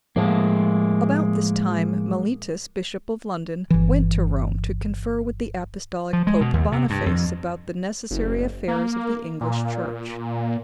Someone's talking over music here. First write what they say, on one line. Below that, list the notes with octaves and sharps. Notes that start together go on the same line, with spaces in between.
About this time, Mellitus, bishop of London, went to Rome, to confer with the Apostolic Pope Boniface about the necessary affairs of the English Church.
A2 F3 G#3 A#3
G1 E3
F3
G#3
B2
D#2
C3
G2
F2
F#1
A#3
A#2